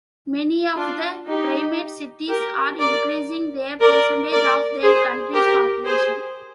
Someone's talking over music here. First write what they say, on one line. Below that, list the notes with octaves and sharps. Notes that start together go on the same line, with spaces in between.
Many of the primate cities are increasing their percentage of their country's population.
D4 F4
D#4 G4
G4 A#4
A#4 D5
A#4 D5
A#4 D5
G#4 C5
G4 A#4
G#4 C5